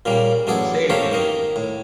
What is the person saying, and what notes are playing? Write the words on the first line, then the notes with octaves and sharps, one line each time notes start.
Save me!
A#2 C#3 G3 A#3
A1 F#2 G#4 A4 D5 F#5
A3 G4 A#4 C5 C#5 F5
D#3 A#3 D#5
A2